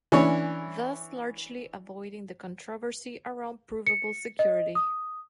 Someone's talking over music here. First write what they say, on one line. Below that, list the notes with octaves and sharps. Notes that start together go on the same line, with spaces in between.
Thus largely avoiding the controversy around provable security.
E3 C#4 D4 C#5
C#7
D#5
D#6